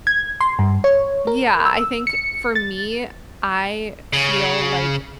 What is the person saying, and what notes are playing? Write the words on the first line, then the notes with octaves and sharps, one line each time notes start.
Yeah, I think for me, I feel like
G#6
C6
G2
C#5
A#4
E6
C#7
A6
C#3